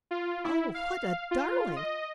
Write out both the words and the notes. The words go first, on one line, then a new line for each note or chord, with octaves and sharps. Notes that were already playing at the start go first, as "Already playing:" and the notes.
Oh! what a darling!
F4
E4
F5
F4
D#5